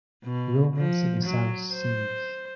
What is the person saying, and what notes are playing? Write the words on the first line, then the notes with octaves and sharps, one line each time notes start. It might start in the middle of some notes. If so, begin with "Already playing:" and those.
Romance in the South Seas!
B2
F3
F#3
C5